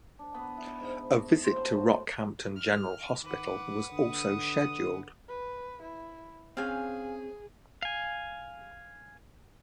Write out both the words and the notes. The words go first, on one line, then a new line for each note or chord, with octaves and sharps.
A visit to Rockhampton General Hospital was also scheduled.
D4
B3
E4
G#2
F#4
C5
A2
F#4
F6
D#3 B4 F#5 D6
D3 D#6
B4
E4
C4 C#4 G#4 F5 G#5
F5 G#5